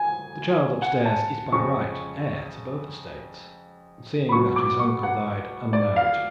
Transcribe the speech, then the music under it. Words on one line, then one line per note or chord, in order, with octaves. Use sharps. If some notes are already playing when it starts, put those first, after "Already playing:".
The child upstairs is by right heir to both estates, seeing that his uncle died unmarried.
Already playing: G#5
F#5
A5
F2 C#3 F3 C#6
B5
C#2 B2 F#3 B3 C#6
D6
C#6
F#5
D5
F5